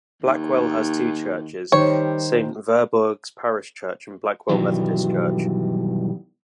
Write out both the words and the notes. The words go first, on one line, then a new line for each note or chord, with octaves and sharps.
Blackwell has two churches: Saint Werburgh's Parish Church and Blackwell Methodist Church.
D#2
D#3 G3 C5 C#5
G2 B2 D#3 E3 F#3 G3